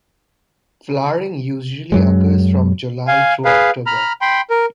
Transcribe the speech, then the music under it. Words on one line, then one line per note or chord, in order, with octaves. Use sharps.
Flowering usually occurs from July through October.
F#2 F#3 G#3
F5 G#5
G#4 B4 F5
A#5 B5 F6
G5 B5 C6
A#4